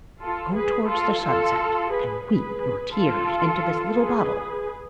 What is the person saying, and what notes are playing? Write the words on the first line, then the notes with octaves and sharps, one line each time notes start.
Go towards the sunset, and weep your tears into this little bottle.
F4 A4
G#4 B4
F4 A4
F4 A4
G#4 B4
G#4 B4
F4 A4
G#4 B4